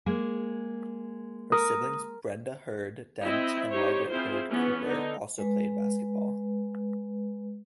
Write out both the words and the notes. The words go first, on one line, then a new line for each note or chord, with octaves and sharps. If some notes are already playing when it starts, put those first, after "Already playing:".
Her siblings Brenda Heard Dent and Margaret Heard Cooper also played basketball.
G#3 A#3
A#4 D#6
C4 E4 D#5 E5
D#4 G4 C5 C#5
C4 E4 F4 G#4 C5
E3 B3 C#4
D3 D#4
G#3 B4